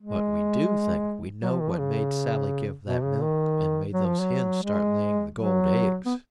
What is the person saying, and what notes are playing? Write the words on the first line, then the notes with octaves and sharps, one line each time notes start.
"But we do think we know what made Sally give that milk and made those hens start laying the gold eggs."
G#3
F#3
F3
D#3
F3
C#3
B2
C#3
D#3
F#3
F3
F#3
G#3
F#3
B3